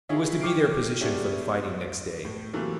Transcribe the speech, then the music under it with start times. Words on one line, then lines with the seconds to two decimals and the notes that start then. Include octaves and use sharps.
It was to be their position for the fighting next day.
0.09 E4 F4 G#4 C#5 D#5 E5
0.41 G5 C#6 D6 F6 C7 D7
1.01 G#3 B3 D4 G4 C#5 E5
1.81 D7
2.25 A2
2.53 C3 E3 F#3 A3 A#3